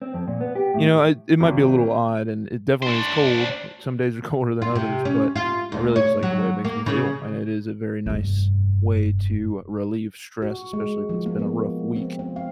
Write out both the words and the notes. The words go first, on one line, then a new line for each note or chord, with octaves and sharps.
You know, it it might be a little odd, and it definitely is cold, some days are colder than others, but I really just like the way it makes me feel, and it is a very nice way to relieve stress especially if it's been a rough week,
C4
F2
A#2
B3
G4
A2
G#1
D4 C5
F4
C3
C#4
F4
D2
C#5
F#3
A#3
C#3
F1 G2
F#4
G#3
F3
A#3
B3
C4
C4
F5